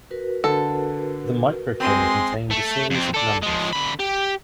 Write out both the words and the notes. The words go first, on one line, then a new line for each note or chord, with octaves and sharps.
The microfilm contained a series of numbers.
F#4 A#4 B4
D3 A4
G#3 C4 C6
A3
F2 C4
A4 D5
F3 G#3
D3 B5
G4